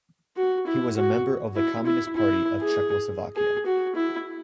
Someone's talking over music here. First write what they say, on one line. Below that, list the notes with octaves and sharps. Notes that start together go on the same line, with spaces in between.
He was a member of the Communist Party of Czechoslovakia.
F#4
E4
F#4
E4
E4
E4
G#4
G#4
F#4
E4